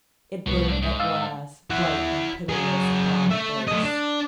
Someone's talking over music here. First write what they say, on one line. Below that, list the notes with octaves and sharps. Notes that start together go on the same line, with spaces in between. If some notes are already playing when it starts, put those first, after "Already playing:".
It burnt at last bright and pitiless upon the face.
C2 B2 B3
A2 D4
G#2
F5 E6 A6
E4 F#5
F#3 G#4
A3 E5
A3 D#5
D4